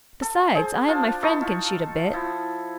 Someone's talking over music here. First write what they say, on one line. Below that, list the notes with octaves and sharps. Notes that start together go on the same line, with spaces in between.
Besides, I and my friend can shoot a bit.'
A4
G#4 C5
D4 F4 A5
D#4 E4 A4 C#6
F4
F3 E4